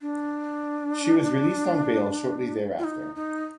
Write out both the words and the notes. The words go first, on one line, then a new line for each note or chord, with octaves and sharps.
She was released on bail shortly thereafter.
D4
F4
D#4
D#4